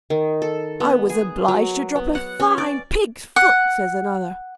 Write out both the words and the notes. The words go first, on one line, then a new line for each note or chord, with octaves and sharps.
"I was obliged to drop a fine pig's foot," says another.
D#3
A4
B3
G#4
F#3
B3
F#5
C#4
D5
F#5